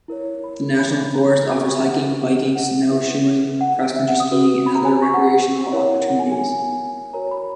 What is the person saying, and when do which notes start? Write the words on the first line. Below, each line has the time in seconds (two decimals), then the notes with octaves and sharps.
The national forest offers hiking, biking, snowshoeing, cross country skiing, and other recreational opportunities.
0.08 E4 A#4 C#5
0.44 B5
0.79 B5
1.14 A#5
1.49 F#4 B4 B5
1.61 C#6
1.73 E5
1.85 F#5
2.20 F#5
2.55 F#5
2.90 E4 B4 E5
3.61 F#5
3.96 E5
4.08 F#5
4.20 D#6
4.31 F#4 B4
4.66 B5
4.75 A#5
4.85 G#5
5.02 C#6
5.14 F#5
5.26 F#5
5.73 E4 A#4 C#5
6.08 F#5
6.19 G#5
6.32 G#5
7.13 F#4 A#4 C#5 A#5
7.31 B5